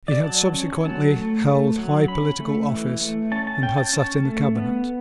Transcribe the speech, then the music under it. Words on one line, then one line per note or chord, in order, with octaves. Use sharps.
He had subsequently held high political office, and had sate in the Cabinet.
D5
F#3 A5
C#4
F#3 A5
A3
A3
F#3
C#4 B5
A3
E3
A3
C#4 A5
A5
C#4 G5
A5
C#4 A5
A3
B3